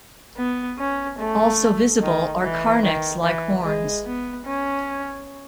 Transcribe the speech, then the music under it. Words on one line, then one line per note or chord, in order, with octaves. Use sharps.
Also visible are carnyx-like horns.
B3
C#4
A3
D#3
E3
D#3
E3
G#3
B3
C#4